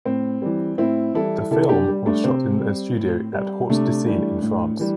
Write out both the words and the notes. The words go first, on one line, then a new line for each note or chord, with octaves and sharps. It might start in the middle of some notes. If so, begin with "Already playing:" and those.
The film was shot in a studio at Hauts-de-Seine in France.
A2 C4
E3 G3
A2 C4 E4
E3 G3 E4 A4
C3 E4 A4
D4 G4
G3
A3 D4
C3 C4
G3
A2
G3
C3 A3 D4
E3 G3
A2
E3 G3